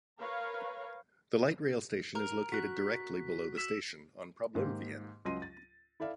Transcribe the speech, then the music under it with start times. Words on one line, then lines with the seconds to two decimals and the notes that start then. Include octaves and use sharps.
The light rail station is located directly below the station, on Problemveien.
0.19 A#4 B4 C#5 F5
2.15 A#4
2.52 F#4 C#6 F#6 B6
3.57 E6 B6 E7
4.55 G#2 D#3 A#3 G4
5.25 C#2 F#3 D#5 C6 A#6 D#7
5.42 A6
6.00 E4 A4 D5 E5 F5